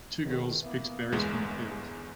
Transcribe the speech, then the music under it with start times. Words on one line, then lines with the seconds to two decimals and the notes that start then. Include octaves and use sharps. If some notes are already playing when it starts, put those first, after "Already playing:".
Two girls picks berries from a field.
0.25 C#2 D#3
0.63 E3 A#3 B3
1.12 G1 E2 G#3